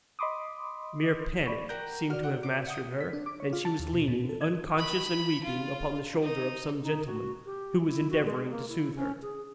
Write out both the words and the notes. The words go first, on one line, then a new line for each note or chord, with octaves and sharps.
Mere panic seemed to have mastered her; and she was leaning, unconscious and weeping, upon the shoulder of some gentleman, who was endeavoring to soothe her.
D#5 B5 C6 D6 D#6
D5 B5 C#6
G4 A#4 F#5 G6
F#4 D5 F6
F#5 G5 F#6
D6
F#5 G5 D#6
B6
D4
D6
C#5
F4
A5
D#2
B2
A#2
A4
G#6
B5
F4
D#4
D#4
F#4
G4
E4
F#4
G#3
A#3
E4
C#4
G#4